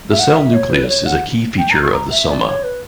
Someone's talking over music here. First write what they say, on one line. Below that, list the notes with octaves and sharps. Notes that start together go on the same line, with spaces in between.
The cell nucleus is a key feature of the soma.
E5
F#5
E5
C#5
B4
D5
C#5
F#5
G5
A#5
C#6
A#5
E5
D5
C#5
B4